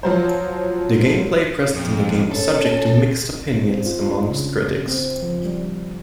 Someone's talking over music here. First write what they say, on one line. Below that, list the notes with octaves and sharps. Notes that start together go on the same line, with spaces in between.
The gameplay present in the game was subject to mixed opinions amongst critics.
F3 F#3 C5
F2
C#4 A4
C4
F4
D4
C#3
C4
F3
G3